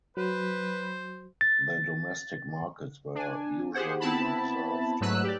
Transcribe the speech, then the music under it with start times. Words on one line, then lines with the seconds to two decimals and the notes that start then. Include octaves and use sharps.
The domestic markets were usually reserved.
0.17 F#3 B4 C5 B5
1.41 A6
3.15 D4 G#5
3.74 G4 G#4 C5 F#5
4.00 B3 C4 E4 A5 B5
5.00 G#2 F#3 A3 B4 E6 F#6
5.23 G4 D5